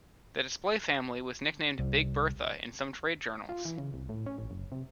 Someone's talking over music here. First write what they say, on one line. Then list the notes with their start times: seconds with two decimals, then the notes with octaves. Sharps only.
The display family was nicknamed "Big Bertha" in some trade journals.
1.79 C2
3.49 F4
3.65 E3
3.78 C#3
3.94 C2
4.09 A2
4.26 C#4
4.38 A1
4.51 F#1
4.72 C3